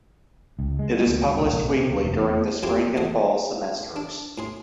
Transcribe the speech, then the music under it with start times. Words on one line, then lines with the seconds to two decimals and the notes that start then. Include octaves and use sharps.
It is published weekly during the spring and fall semesters.
0.59 C#2
0.79 G#3
0.94 G3
1.06 D2
1.22 D#1
1.39 C#2
1.52 A#1
1.65 B2
1.76 C3
1.90 D#2
2.04 F1
2.16 E2
2.63 F2 G#3 E4 F4 G4 G#5
2.97 A1 A#2 A3 D#5 F#5
3.96 D4
4.38 A2 G#4 C6